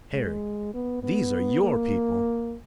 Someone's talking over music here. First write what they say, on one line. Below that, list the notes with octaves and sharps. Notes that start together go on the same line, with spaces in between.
"Harry, these are your people."
G#3
B3
B3
A#3